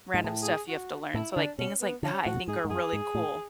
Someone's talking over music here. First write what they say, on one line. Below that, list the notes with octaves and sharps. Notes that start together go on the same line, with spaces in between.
random stuff you have to learn, so, like, things like that, I think are really cool.
G#2
A2 G#4
G#4
F#4
A2 E4
E4
D3 D4
B2 C#4
B3
D3 C#4
A2 F#4
G#2 G#4
G#2
F#2 G#4
G#2
A2